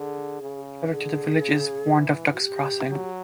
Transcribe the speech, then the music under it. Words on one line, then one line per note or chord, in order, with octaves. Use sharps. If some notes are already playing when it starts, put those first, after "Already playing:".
Traffic through the village is warned of "ducks crossing".
Already playing: D3 G#4
C#3
D3 G#4
C#3
E3
F#4
G4
F#3